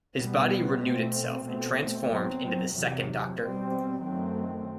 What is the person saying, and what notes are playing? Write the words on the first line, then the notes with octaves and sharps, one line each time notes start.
His body renewed itself and transformed into the Second Doctor.
B2 G3 B3
B2 A3 C4
B2 A3 C4
B2 F#3 C4
E2 C3 F#3
B2 G3 C4
F#2 D#3 F#3 A3 C4